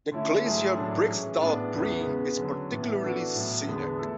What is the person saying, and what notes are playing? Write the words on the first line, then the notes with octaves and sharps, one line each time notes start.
The glacier Briksdalsbreen is particularly scenic.
D3 A3 C#4 E4
G#2 F#3 A3 E4 G#4
A2 F#3 A3 D4 A4
E3 G#3 C#4
A2 G#3 B3 D4
E2 C#3 E3 B3
C#3 G#3 B3
D3 F#3 C#4
A2 E3 B3
E3 B3 D4 F#4 A4
A2 F#3 B3
E2 D3 G#3 B3
A3 E4 A4